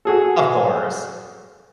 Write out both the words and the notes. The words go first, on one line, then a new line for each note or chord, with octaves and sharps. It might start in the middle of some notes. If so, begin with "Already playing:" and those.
Of course.
F#4 G#4 A4